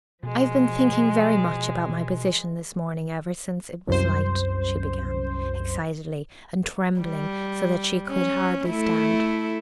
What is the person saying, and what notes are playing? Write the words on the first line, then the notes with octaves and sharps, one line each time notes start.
"I have been thinking very much about my position this morning--ever since it was light," she began, excitedly, and trembling so that she could hardly stand.
B2 F3 G#3
C2 F#2 C5
G3
C#4
A3 E4 A4